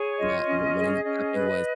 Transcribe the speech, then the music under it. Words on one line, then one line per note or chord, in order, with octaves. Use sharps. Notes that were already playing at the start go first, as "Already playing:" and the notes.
when, uh w what ended up happening was
Already playing: G#4 C#5
F4 D#5
C#4
G#4
C#4 D#5
B4